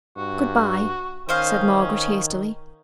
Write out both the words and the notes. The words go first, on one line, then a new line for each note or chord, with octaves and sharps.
'Good-bye!' said Margaret, hastily.
G2 F#4
D#3 C#4 C5 D#5 F5